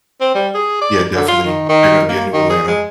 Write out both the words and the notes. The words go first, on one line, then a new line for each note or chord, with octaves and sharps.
Yeah, definitely, there gonna be a new Atlanta.
C4
G3
G#4
D5
D3
F4
D#3
D#3
A#3
D#3
G#4
G#3